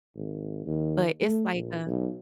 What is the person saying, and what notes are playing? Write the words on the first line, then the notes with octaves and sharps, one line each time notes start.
but it's like a
G#1
D#2
A3
A#1
B1